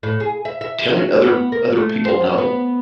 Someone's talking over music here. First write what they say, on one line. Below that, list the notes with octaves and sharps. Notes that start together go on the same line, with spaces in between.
telling other other people no.
A2
G#4
E5
E5
F#4
B3
A#4
A3
C5
F#2
B3